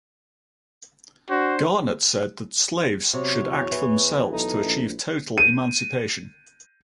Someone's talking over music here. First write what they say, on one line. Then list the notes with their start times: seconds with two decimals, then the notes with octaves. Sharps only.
Garnet said that slaves should act for themselves to achieve total emancipation.
1.30 D4 F#4 C5
3.13 C3 F#3 C#5
3.43 E2
3.72 E3
4.33 B1 A3 D#4
4.64 A#1
5.38 D#7